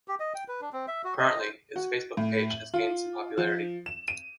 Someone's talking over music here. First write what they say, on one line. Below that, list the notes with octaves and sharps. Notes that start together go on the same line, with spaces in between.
Currently, its Facebook page has gained some popularity.
G4
D#5
G5
B4
D4
C4
E5
F#4
D#5
C5
F#4
A2
F#7
F4
F3
E7
D#7